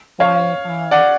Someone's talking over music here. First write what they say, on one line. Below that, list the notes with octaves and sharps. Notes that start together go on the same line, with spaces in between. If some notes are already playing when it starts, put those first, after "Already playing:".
why um
C#5 F5
D5 F#5